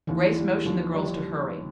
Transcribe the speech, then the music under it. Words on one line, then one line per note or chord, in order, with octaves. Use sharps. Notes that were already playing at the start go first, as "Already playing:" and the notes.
Grace motioned the girls to hurry.
D#2 E3
G3
D#2 F3
G3